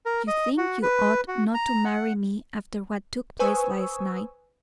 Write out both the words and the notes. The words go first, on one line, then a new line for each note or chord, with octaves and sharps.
You think you ought not to marry me after what took place last night.
A#4
D#5
F#4
B4
F#4
A#5
F#5
B4 C5 G#5 C#6 D#6 E6